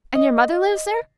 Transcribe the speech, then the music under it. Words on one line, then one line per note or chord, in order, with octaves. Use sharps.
And your mother lives there?
D#5